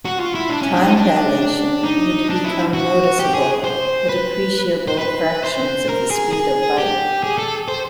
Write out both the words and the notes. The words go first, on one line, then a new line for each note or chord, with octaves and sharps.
Time dilation would become noticeable at appreciable fractions of the speed of light.
F#4
F4
E4
D4
C#4
D4
D#4
D4
D#4
D4
E4
F#4
G4
G#4
C5
B4
C5
B4
C5
A#4
G#4
G#4
G4
G#4
A4
C5